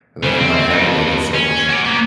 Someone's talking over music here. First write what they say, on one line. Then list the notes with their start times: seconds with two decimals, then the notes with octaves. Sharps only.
that in my head, I go "There's so much
0.23 C#3 G3
0.40 C4
0.71 F2
1.34 C#4
1.69 F#4 D5
1.85 A#3 B3